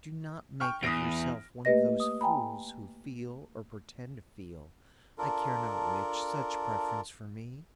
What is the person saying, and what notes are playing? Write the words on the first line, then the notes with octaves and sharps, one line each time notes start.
Do not make of yourself one of those fools who feel, or pretend to feel, I care not which, such preference for me.
G5 C#6 F6
E2 D#6 A#6 D7
A3 A#3 G4 B4 D#5 A#6
D#6
G5 G#5 A#5 B5
D4 F4 A4 A#4